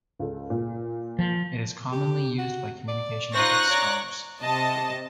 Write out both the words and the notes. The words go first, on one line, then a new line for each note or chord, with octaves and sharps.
It is commonly used by communication ethics scholars.
C#2 A4
A#2
F3
G4
F#4
D5
D#4 F4 C5 C#6 F#6 A#6
C#5 D5 A#5
C3 D#5 A5